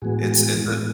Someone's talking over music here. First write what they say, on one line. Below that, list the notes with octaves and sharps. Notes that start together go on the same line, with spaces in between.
It's it's a
A2 E3 G#3 B3 F#4 G#4
A2 E3 G#3 B3